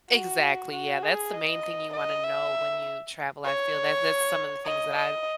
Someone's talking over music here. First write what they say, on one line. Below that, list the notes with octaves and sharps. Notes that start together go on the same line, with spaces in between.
Exactly, yeah, that's the main thing you wanna know when you travel, I feel that that's some of the things that I'd
F#4
F#4
G#4
D#5
D#5
E5
C#5
D#5
D#5